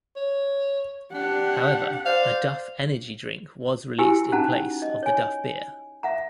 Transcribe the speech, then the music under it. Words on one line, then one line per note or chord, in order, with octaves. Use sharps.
However, a Duff Energy Drink was released in place of the Duff Beer.
C#5
D4 G4 F#5
C5 D5 F5
E4 F#4 G4 G#5 E6
C#4 D#4 F#5 A5 A#5
D#5
C#5 G#5
E5 F#5 A#5